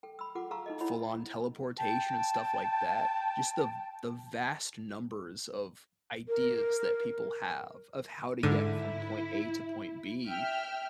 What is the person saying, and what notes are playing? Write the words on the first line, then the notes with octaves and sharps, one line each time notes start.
full-on teleportation and stuff like that. Just the the vast numbers of ideas that people have of how to get from point A to point B,
A4 G5
B5 E6
F4 G#4 A4 F#5 D6
G#4 F5 A5 A#5 C#6 E6
D#4 A4 D#5
E4 C#5 F#5 B5
G5 A5
A#4
G#2 D3 E4 D#7
E5 G5 F6